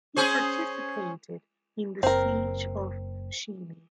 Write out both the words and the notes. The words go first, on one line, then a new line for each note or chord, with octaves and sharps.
He participated in the Siege of Fushimi.
C#4 G#4 C5
F#1 C4 A#4